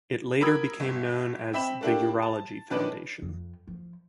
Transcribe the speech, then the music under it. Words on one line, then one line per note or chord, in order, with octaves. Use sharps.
It later became known as The Urology Foundation.
A#4 B5 D#6 E6 G#6
G1
C4 E5 B5 E7
A3 A#3 D4 E4 G4
A5
D#3 C#4 D4 B4 D5
F2
F3